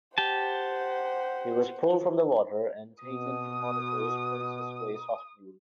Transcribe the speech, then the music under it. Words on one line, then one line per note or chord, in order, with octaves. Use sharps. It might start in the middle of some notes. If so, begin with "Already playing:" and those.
He was pulled from the water and taken to Monaco's Princess Grace Hospital.
G4 C5 F#5 A5
B2 D#6